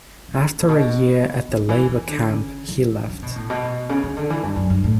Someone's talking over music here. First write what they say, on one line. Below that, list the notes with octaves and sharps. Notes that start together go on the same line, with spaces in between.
After a year at the labor camp he left.
C#3
A2
B2
C#3
E3
E3
D3
C#3
E3
C#3
B2
A2
B2
C#3
C#3
D3
E3
G2
F#2
G2
A2